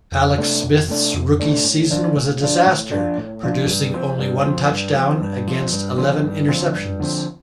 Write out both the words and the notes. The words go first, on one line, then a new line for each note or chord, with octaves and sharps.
Alex Smith's rookie season was a disaster, producing only one touchdown against eleven interceptions.
F2
C3 A3 D4
F2
C3 A3 D4
F2
C3 A3 D4
A2
F3 D4
A2
F3 D4
A2
F3 D4
A2
F3 D4
G2
F3 C4
G2
F3 C4
G2
F3 C4
G2
F3 C4
G2
D3 F3 C4
G2
D3 F3 C4
G2
D3 F3 C4